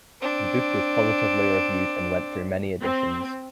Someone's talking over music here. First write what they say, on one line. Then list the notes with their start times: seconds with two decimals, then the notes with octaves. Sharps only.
The book was positively reviewed and went through many editions.
0.21 C4 D4
2.83 C4